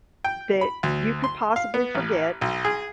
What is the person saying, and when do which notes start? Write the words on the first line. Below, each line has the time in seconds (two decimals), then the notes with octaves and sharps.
that you could possibly forget,
0.24 G5
0.61 B5
0.83 D2
1.24 C6
1.56 F5
1.74 B3
1.95 A1
2.41 B1
2.65 G#4